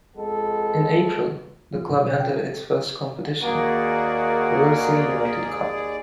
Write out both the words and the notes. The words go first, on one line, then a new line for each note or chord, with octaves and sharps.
In April, the club entered its first competition, the Livesey United Cup.
F2 G#3 B3 A4
F3
B2
G5
A4
D#2 A#3 F#4 G#4 A#4 D5